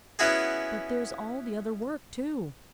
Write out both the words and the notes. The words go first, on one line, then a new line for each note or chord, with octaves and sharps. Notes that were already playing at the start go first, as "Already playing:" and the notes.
"But there's all the other work, too."
B3 C#4 E4 F#4 G#4